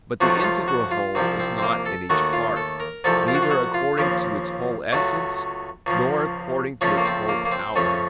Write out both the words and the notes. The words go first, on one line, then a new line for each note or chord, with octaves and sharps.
But the integral whole is not in each part, neither according to its whole essence, nor according to its whole power.
C#2 C3 F3 A3 F#4
D#4
F4
F#4
F4
C2 C3 F3 C4
C4
C4
A#3
A4
D#2 D#3 A3 F#4
F4
A4
A#4
C2 C3 F3 A3 A4
F4
F#4
F4
F#4
F4
D#2 C#3 F3
C#2 C#3 F#3 A3
C#2 C#3 F3
C#2 C#3 F3 A3 C#4
A#3
C4
A#3
A#3
C4
F2 C#3 A3 C#4